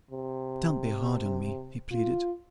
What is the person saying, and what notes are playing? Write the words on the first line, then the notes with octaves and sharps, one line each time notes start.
"Don't be hard on me," he pleaded.
C3
F4